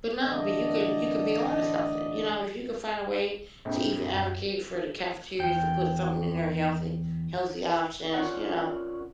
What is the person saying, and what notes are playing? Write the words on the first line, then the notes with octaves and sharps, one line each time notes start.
But no, but you can you can be on to something. You know, if you can find a way to even advocate for the cafeterias to put something in there healthy, healthy options, you know,
A1 D3 A3 A4 D5 D#5
A#1 F2
F#2
E2 G5
C#4 F4 A#4 C#5 D5 F#5